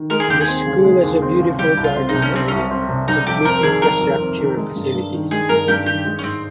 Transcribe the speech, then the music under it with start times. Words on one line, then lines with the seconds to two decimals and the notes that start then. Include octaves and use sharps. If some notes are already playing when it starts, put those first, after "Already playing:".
The school has a beautiful garden area complete infrastructure facilities.
Already playing: D#3
0.10 G#3 A#4
0.20 G#4
0.28 D#2 G4
0.41 G#4
0.48 C4
0.66 C#3
0.84 G#3
1.03 D#2
1.22 C4
1.40 C#3
1.58 G3 G4
1.77 C2
1.84 F4
1.96 C4
2.09 D#4
2.14 C3
2.22 C#4
2.33 G3 C4
2.48 C2 C#4
2.71 C4
2.89 C3
3.08 G3 D#4
3.27 F2 G4
3.45 C4 A#4
3.63 D#3 G#4
3.82 G3 A#4
4.00 F2
4.20 C4
4.38 D#3
4.57 G#3
4.76 G2
4.94 G2
5.13 D#3
5.31 G#3 G#4
5.49 G2 A#4
5.68 G2 G4
5.86 D#3 G4
6.05 G#3
6.19 C#4
6.23 G#2 C4